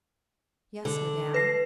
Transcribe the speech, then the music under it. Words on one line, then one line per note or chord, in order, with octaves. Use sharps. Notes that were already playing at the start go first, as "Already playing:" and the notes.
"Yes, Madame."
D3
B4 A#6 C7